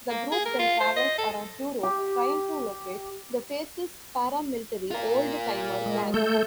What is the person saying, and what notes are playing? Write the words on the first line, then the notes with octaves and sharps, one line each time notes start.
The group then travels around Europe trying to locate the fascist paramilitary old-timer gang.
A#3
G#4
A#4
F4
C5
D#5
A4
G4
F4 A#4
G#3
A3 A4 G6